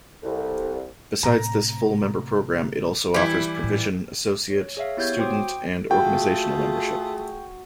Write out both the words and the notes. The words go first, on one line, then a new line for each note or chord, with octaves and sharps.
Besides this Full Member program, it also offers Provision, Associate, Student and Organizational Membership.
C2 A4
A2 C3 A#5
E3 G3 E4
A2
C#5
G#4 C#5 E5 F5
B3 E4 G4 C#5 G6 G#6
F#4 C5 G5 C6 D6 D#6
G5
A3 F4 F#4 G#4 G5